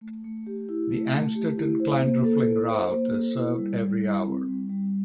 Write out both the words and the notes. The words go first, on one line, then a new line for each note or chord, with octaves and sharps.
The Amstetten–Kleinreifling route is served every hour.
A3
A3
G4
E4
A3
A3
G4
E4
C5
A#3
A4
E4
C5
A#3
A4
E4
G3
G3
E4
C4
G3
G3